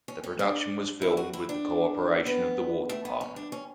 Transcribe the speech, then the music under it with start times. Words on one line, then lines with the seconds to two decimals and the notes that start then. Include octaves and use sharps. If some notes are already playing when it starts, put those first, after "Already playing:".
The production was filmed with the cooperation of the War Department.
0.08 C#4
0.23 C#4
0.39 D4
1.02 E4
1.17 F#4
1.33 E4
1.49 D4
2.26 B3
2.90 A3
3.05 B3
3.21 C#4
3.36 D4
3.52 C#4